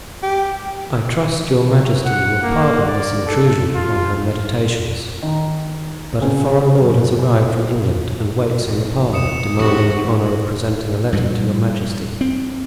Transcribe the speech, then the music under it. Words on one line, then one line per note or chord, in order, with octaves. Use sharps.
"I trust your majesty will pardon this intrusion on her meditations, but a foreign lord has arrived from England and waits in the parlor, demanding the honor of presenting a letter to your majesty."
G4
F#3
F#5
A#3
D5
A4
F4
D#3 A#5
C#3 C4 C#4
F#2
A#1 F2 E3
D#6 C#7 E7
E2 C3 E3 C#4 D4 F#4
G2 A#2 F3
C4